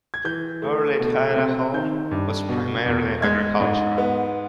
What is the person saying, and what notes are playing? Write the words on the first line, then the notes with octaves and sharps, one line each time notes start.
Early Tidaholm was primarily agricultural.
G#6
E3 G6
A3
B2
C4
D#3 G6
G2
B2
E2
G#3 G#6
G#2
B3